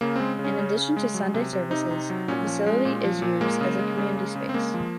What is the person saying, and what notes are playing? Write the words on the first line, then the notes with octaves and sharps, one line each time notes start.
In addition to Sunday services, the facility is used as a community space.
C#3 A#3
G#3 C4
C#3
C#4
C#3
C#3
G#3
F#3
C3
C3
C3 D#4
C3
F#3
A#2 C#4
F3
G#3
A#2
F3
A#2
G#3 A#3
C#3
G#3
C#3
G#3
C#3
C4
G#3 A#3
F3